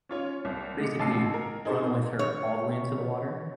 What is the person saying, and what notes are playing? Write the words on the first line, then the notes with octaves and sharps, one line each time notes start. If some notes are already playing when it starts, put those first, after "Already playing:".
basically run with her all the way into the water,
C#4 F4 C#5
C2
G#3 D6 C#7
A1 C#3 A5 C7
A#4
D#4 G#4 A4 C5
C#5